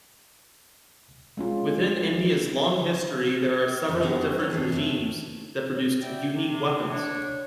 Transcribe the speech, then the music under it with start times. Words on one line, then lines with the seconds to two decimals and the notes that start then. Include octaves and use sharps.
Within India's long history there are several different regimes that produced unique weapons.
1.37 G#3 C#4 F4
3.88 F2 C3 E3 F#3 C#4 E4
4.03 G3 B3 C#4 F#4 G#4 C5
4.38 F4 C#5
4.50 G2 E3 B3 G#4
4.72 C3 A3 C#4 E4
6.02 E4 F#4 D5 E5 G5
6.33 C3
6.91 D4 C#5